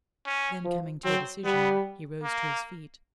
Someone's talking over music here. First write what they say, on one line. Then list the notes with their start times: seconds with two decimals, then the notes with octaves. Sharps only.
Then coming to a decision, he rose to his feet.
0.26 C#4
0.65 F3
1.05 F#3 C4
1.45 G3 B3
2.24 A#3